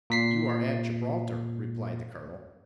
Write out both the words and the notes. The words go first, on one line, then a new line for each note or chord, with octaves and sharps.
"You are at Gibraltar," replied the colonel.
A#2 B6 C7